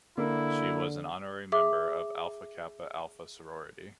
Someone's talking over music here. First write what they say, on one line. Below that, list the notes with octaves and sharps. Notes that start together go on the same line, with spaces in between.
She was an honorary member of Alpha Kappa Alpha sorority.
D3 A#3 E4
G#4 E5 D6